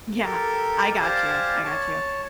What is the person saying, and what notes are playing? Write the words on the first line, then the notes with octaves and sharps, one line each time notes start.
Yeah. I got you. I got you.
G4 A4 A#4
G4 C5 D5 F5 G#5 A5
C#5 A5